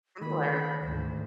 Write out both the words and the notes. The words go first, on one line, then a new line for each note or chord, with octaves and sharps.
similar. Mhm.
D#3 B5
D2 G#2 C5